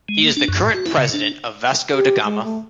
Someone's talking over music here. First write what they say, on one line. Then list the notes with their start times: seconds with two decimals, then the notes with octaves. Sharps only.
He is the current president of Vasco da Gama.
0.09 G#3
0.23 A#3
0.37 D4
0.48 F#2
0.62 A2
0.74 F#4
0.86 E4
0.98 C#3
1.14 D4
1.94 G4
2.23 G#3
2.43 A3